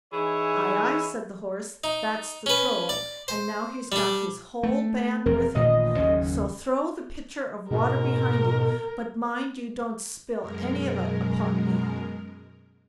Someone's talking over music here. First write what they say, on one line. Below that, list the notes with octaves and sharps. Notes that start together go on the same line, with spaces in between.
'Aye, aye', said the Horse, 'that's the Troll, and now he's got his whole band with him, so throw the pitcher of water behind you, but mind you don't spill any of it upon me.'
E3 D#4 E4 G#4 C#5
D#4
C#4 B4
D5
C5
G3 D4
A3
E1 F2 C4 A#4
A1 A#2 D#3 D#5
F#1 D#2 C#4
G#2 B2 A#4
F#2 B2 G#3 A#4